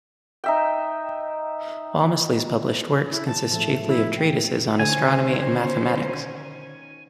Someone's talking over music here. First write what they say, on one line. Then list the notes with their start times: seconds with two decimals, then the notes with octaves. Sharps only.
Walmesley's published works consist chiefly of treatises on astronomy and mathematics.
0.44 D#4 E5 G5
3.10 E4
3.27 A5
3.49 A2 F3 A3
3.86 E4
4.17 G5
4.80 D3 D#3 C#4 C5 G#5